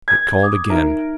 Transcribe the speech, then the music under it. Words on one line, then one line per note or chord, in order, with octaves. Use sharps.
It called again.
G#6
D6 D#6
D#4 A#4 E5